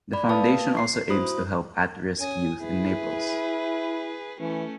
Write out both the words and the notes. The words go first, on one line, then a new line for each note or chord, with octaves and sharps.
The foundation also aims to help at risk youth in Naples.
D5 B5
A#3 B4 F5 A5 D#6
C7
E4 F#4 C5 B5 D#6
C#4 G#5 D#6
E4 G#4 B4
E3 A3 C#4